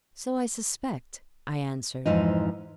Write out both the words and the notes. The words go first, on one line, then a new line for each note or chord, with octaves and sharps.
'So I suspect,' I answered.
F2 G#2 E3 F3 D#4